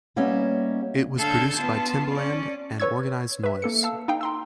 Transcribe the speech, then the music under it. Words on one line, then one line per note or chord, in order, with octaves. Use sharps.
It was produced by Timbaland and Organized Noize.
G3 A#3 B3 C#4 D#5 E5
D3 A4 F5 E6 G6 G#6
B3 F4 A5
C#4 D5
B4 C#5 C#6 E6 G#6
B4 E5
A#3 A4 C#7
F5 A5 E6
D#4 F5 G5 A#5
A#5 C6 E6